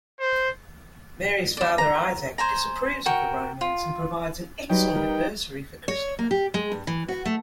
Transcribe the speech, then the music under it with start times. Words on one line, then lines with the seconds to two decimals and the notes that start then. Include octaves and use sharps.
Mary's father Isaac disapproves of the romance and provides an excellent adversary for Christopher.
0.20 C5
1.57 E4 D5
1.78 A#5
2.38 C5 G#5 A#5
3.06 F#4 A#4 G5 C#6
3.61 F4
4.70 F#3 G3 D#4 B4 G5
4.95 G3 A#4 B4
5.88 C#5
6.19 A#3
6.31 G4
6.54 G#3
6.72 G2
6.87 E3
7.08 F#4
7.25 A3